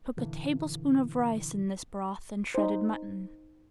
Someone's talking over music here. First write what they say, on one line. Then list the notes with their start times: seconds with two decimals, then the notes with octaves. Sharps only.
Cook a tablespoonful of rice in this broth and shredded mutton.
0.17 A#2 D3 E3
2.54 D#4 C5